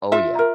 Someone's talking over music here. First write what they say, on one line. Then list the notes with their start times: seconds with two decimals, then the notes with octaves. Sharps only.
Oh, yeah.
0.12 F4 E5
0.39 A#4